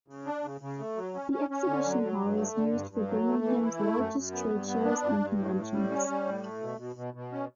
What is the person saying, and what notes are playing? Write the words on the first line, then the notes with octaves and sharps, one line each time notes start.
The Exhibition Hall is used for Birmingham's largest trade shows and conventions.
C#3
D4
C#3
C#3
A3
F#3
C#4
C#4
C#4
D3
F#3
F#3
G2
A3
D3
G2
G2
F#3
A3
E3
E4
A3
F#2
F#2
B3
G2
B3
D4
G2
G2
A2
A2
G3
C#4
G3
A2
A3
B2
B2
B2
B2
C#4